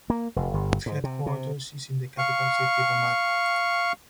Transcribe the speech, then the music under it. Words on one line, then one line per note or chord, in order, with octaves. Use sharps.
Its headquarters is in the capital city Bamako.
A#3
F1
G1
G#2
C3
C3
F5 C#6